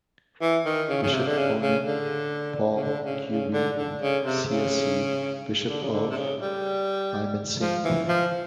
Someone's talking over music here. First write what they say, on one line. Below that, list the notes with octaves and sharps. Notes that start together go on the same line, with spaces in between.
Bishop Ponen Paul Kubi, csc, Bishop of Mymensingh.
E3
D#3
C#3
C#3
C3
D3
C#3
C#3
D3
C#3
D3
C#3
C#3
D3
D3
C#3
C3
C#3
D3
C#3
D3
C3
C#3
G3
F3
E3
F3